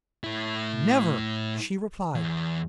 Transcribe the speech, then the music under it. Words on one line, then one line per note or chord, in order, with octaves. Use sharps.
Never!' she replied.
A2 E4
E2